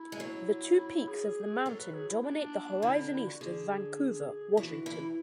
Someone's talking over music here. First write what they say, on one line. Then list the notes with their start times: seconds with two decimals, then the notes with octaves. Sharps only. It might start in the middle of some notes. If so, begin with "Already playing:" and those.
The two peaks of the mountain dominate the horizon east of Vancouver, Washington.
Already playing: E4
0.12 G#3
0.20 F#3
1.08 G#4
1.66 F#3 A4
1.79 B4
1.94 G#4
2.09 E4
2.24 D4
2.82 D3 E4
3.02 D4
3.15 E4
3.28 F#4
3.40 D3 G#4
4.57 E3 F#4
4.86 E3 E4
5.05 E4